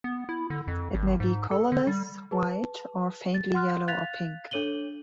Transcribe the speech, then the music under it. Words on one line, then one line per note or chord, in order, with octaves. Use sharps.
It may be colorless, white, or faintly yellow or pink.
B3
E4
D3
F2
G#1
G#2
A4
D3
G3
G#4 B4 A5
A6
F#5 C6 F6 F#6
F5 F#6 G#6 A6 B6 F7
D4 A4 C#5 D#7 F#7 G7